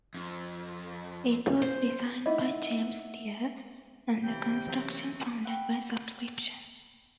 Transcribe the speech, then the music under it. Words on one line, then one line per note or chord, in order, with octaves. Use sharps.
It was designed by James Steer, and the construction funded by subscriptions.
F2
C5
A3 D#4 E4 D#5 E5 F#5 B5
D2 C3 E3 G5
E3 F#3 A#3 C4 C#4
F#5 G5 B5 C#6 E6 G6